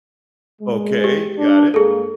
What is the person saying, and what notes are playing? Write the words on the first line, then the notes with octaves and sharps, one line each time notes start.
Okay. Got it.
G#3
G4
D4
G2 G#3 A#3 G#4 A4